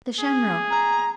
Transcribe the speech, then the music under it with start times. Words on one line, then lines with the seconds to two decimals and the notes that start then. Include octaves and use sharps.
The Shamrock.
0.19 G#4
0.70 A#5